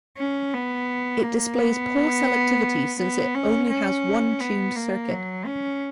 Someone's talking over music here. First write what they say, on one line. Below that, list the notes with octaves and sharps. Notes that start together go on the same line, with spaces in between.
It displays poor selectivity since it only has one tuned circuit.
C#4
B3
A#3
B3
B3
C#4
C#4
B3
A#3
F#3
C#4